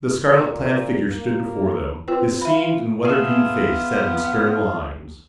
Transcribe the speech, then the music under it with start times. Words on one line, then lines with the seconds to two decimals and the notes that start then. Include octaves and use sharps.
The scarlet-clad figure stood before them, his seamed and weather-beaten face set in stern lines.
0.31 A#2
1.11 A#3
2.08 C4 F4 B4 G5
2.42 F4 E5 B5
3.05 B3 F4 G#4 A4 E5